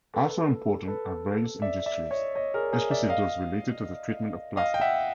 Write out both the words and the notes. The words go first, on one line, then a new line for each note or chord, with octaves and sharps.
Also important are various industries, especially those related to the treatment of plastic.
A4 B4
A4 B4
D5 E5
D5 E5
C#5 D#5
C#5 D#5
G#4 A#4
G#4 A#4
D5 E5
D#5 F5
D#5 F5
G5
E5 F#5